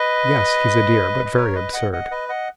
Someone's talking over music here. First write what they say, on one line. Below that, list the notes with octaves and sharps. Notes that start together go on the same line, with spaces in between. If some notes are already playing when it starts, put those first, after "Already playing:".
"Yes, he's a dear, but very absurd."
Already playing: B4 D#5
D#5
A#4 C#5
B4 D#5
D#5 F#5
D#5 F#5
B4 D#5
D#5 F#5